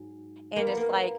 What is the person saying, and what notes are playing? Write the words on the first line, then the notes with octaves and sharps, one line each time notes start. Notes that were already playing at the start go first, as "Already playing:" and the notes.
and it's, like,
Already playing: G#2 F#3
A#3
B3
A#3